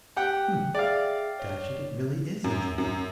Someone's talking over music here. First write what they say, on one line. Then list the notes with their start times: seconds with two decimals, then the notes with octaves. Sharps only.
Hm, dash it, it really is a general!
0.16 G4 F#5 G5
0.75 G#4 D5 E5 F5 G5
1.39 C#5
2.44 F#2
2.78 F#2